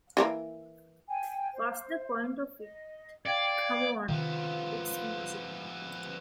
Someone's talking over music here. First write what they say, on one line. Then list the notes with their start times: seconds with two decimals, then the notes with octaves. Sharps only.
What's the point of it?' C'mon, it's music!
0.17 E3 G#3 A#3
1.08 G5 G#5
1.53 C5
2.59 D#5
3.26 D5 F5 G5 G#6
4.09 C3 D#3 F3 B3 F4